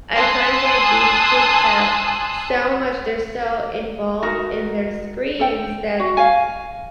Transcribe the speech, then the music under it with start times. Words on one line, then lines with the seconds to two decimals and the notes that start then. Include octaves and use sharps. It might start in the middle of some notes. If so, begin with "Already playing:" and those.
I find that these kids have so much, they're so involved in their screens that
0.15 G#5 A5 C6 D#6 E6 F#6
4.23 D#4 F#4 A#4
5.39 A4 G5
6.00 F#4
6.17 F5 G#5